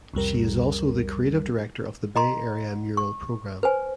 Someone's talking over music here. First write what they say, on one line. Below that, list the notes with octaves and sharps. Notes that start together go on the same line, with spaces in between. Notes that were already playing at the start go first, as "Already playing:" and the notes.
She is also the creative director of the Bay Area Mural Program.
C2 F2 G3 A#4
D#5 A#5 C6
C#6
B4 C5 G#5